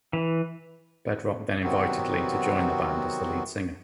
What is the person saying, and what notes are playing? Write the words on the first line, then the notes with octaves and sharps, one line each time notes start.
Bedrock then invited Lee to join the band as the lead singer.
E3
C3 D#3 F#3 B3 C4 F#4